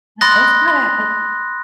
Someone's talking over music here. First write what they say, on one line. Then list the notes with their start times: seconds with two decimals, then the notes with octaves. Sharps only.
I it's gotta
0.21 B5 C6 D#6 F#6 A6 A#6